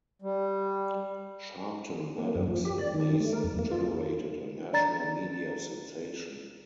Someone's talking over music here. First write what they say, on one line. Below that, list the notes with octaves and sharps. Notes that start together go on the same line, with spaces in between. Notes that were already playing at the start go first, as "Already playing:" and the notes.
Sharpton, Maddox, and Mason generated a national media sensation.
G3
A#3
F#2
F3
G4
D5
D#3
A3
A#4
F2
A#3
F4
D4 D5 A#5 A6